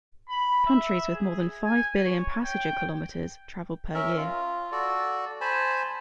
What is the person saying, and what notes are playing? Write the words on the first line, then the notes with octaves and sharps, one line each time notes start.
Countries with more than five billion passenger-kilometres travelled per year.
B5
E5
G#4
G#5
C#5
G5
C#4 A#4 E5
F4
F#4 A4 D5
C5 G#5 A5 B5